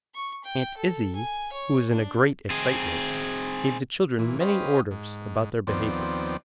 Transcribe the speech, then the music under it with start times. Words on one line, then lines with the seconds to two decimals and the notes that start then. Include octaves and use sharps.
Aunt Izzie, who was in a great excitement, gave the children many orders about their behavior.
0.14 C#6
0.44 G5
0.77 A4
1.15 G#5
1.52 C#5
1.90 D4
2.50 C4 G#4
4.19 A#2 E3
4.40 C#4 G4 B4 C5 D#5 F5
4.91 G#2
5.67 D#2 F3 B3 C4 D5